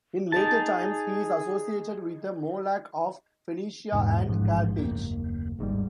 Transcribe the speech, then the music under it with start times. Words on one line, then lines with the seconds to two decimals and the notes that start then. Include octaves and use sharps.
In later times, he is associated with the Moloch of Phoenicia and Carthage.
0.32 D#4 G#4 A5
3.92 A#1 E2 G#2 B2
4.28 A1 G#2 F3
4.79 F#1 D#2 A#3
5.59 G#1 G#2 D#3 G3